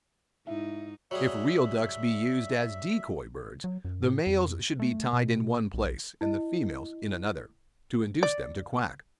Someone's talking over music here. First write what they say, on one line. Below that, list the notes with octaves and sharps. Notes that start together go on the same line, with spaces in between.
If real ducks be used as decoy-birds, the males should be tied in one place and the females in another, to induce them to quack.
G#2 D#4 E4
F#3 G3 G#4 E5
F#3
F#2
A2
F2
A3
B2
B1
E4 D#5
D5